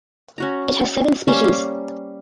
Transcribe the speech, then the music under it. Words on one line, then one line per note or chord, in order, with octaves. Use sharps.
It has seven species.
C#4 F#4 A#5
G3 A#3 C#4 C5